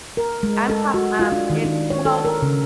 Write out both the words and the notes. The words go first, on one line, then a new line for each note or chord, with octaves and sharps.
I'm talk um, it's well,
A#4
G#3
A4
F#4
F4
D4
D#3
D4
C#5
A4
A#4
C#3